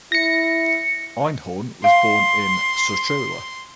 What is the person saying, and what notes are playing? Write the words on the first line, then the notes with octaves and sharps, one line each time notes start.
Einhorn was born in Suchowola.
E4 A#6 C#7
F5 C6